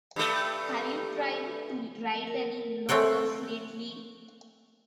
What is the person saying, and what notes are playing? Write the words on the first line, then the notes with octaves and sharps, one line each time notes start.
Have you tried to write any novels lately?
G2 A3
A#4
A3 C4 C#5 F#5 G5